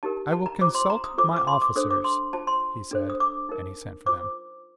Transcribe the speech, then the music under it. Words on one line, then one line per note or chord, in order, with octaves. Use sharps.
"I will consult my officers," he said; and he sent for them.
D#4 G4 A#4 A5
A5
A#5
F4 C5 D6
C6
A#5
D#6
F4 A4 C5 D6
D6
C6
D6
D4 A4 C5 D#6
D6
C6
F4 C5 A5
C6
D4 A4 C5
D#6
D6
D#4 A#4
F4 C5 D6